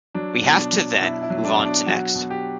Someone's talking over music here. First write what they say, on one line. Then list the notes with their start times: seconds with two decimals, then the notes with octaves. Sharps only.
We have to then move on to next.
0.15 F#3 D4
0.44 B2
0.58 D4
0.73 F#3
1.01 B2 E4
1.23 E4
1.30 F#3
1.44 D4
1.59 B2
1.65 D4
1.87 F#3 F#4
2.15 B2
2.30 G4